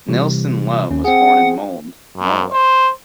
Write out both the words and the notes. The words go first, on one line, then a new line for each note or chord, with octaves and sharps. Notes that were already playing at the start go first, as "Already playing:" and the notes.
Nilssen-Love was born in Molde, Norway.
C3 E3 G3
D#2 C#4
C4 G#4 F#5
F#2
C5